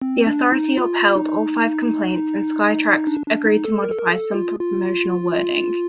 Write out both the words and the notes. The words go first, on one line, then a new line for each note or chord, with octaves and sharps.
The Authority upheld all five complaints and Skytrax agreed to modify some promotional wording.
C4
D4
D#4
F4
D#4
D4
D4
D#4
A4
A#4
A4
A#4
A4
F4
F4